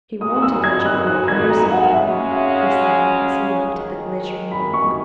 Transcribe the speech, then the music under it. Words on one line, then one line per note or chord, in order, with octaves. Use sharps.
"She wanted a jar of rosemary," he said as he looked at the glittering heap.
A#2 G#3 D#4 F#4 D#6
E6
G#6
F#6
F#6
G#6
A#5
F#5
C#3 G#3 C#4 F#4 E5
E5
D#2 D#3 G#3
B5
C#6